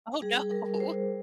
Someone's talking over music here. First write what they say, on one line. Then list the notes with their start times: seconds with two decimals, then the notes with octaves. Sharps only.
Oh, no.
0.22 G3 G#4
0.51 G3 A#4
0.80 G3 C5